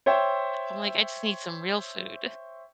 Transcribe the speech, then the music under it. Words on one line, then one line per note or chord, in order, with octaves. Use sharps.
I'm like, "I just need some real food."
C5 C#5 E5 G5